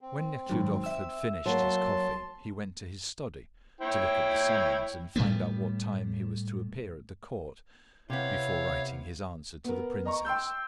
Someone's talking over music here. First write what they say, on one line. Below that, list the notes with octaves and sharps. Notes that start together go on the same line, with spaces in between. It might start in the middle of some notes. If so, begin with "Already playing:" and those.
When Nekhludoff had finished his coffee, he went to his study to look at the summons, and find out what time he was to appear at the court, before writing his answer to the princess.
C4
G#2 D#3 F#3
E5 E6
F#3 A#3 A5 C6
E4 C#5 G5
A2 G3 A3 B3
C3 B3 E4 C#5 F5
B3 A#4
D#5 A#5 C#6
G5 C6 E6 G6